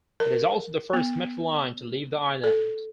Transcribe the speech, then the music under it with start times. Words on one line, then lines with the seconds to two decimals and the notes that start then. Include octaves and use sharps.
It is also the first Metro line to leave the island.
0.20 A#4
0.93 B3
2.44 A4